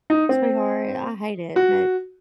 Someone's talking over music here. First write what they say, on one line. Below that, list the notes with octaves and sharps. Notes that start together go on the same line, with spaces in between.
Sweetheart, I hate it, but
D#4
C4
F#4